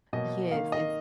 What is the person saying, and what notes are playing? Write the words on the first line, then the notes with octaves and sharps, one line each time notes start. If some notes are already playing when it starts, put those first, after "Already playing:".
Yes, it's
B2 F#3 A#3 D#5
D#3 A#3 F5
D#5